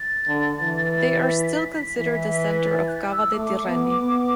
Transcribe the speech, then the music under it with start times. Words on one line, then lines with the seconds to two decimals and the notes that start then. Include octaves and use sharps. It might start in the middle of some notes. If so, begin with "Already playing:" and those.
They are still considered the centre of Cava de' Tirreni.
Already playing: A6
0.27 D3
0.61 E3
1.29 B6
1.97 E3
2.65 A6
2.87 F#6
3.11 E6
3.33 A3 D6
3.67 B3
4.01 B3